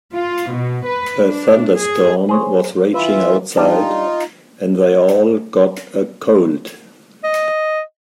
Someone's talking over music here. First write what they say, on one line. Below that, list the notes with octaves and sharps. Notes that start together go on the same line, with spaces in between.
A thunderstorm was raging outside and they all got a cold.
F4
B2
B4
D4
G#4
G#4 C5 C#5
E3 F4 B4 E5
G3 D4 D#4 F4
D#5